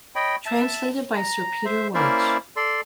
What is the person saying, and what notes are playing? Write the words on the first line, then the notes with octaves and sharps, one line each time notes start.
Translated by Sir Peter Wyche.
C#5 D#5 G5 B5
E5 A5
A#5
C5 E5
A#3 C#4 E4 C5 D5 E5
A4 D5 C6